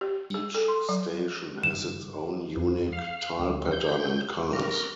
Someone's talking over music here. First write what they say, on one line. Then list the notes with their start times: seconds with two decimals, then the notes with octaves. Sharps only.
Each station has its own unique tile pattern and colours.
0.01 G4
0.34 G#4
0.55 A4
0.68 C6
0.89 F#3
1.63 F#1 G2 D#3 E7
2.56 F2
2.92 F5
3.39 D2
3.72 G6
4.53 A#4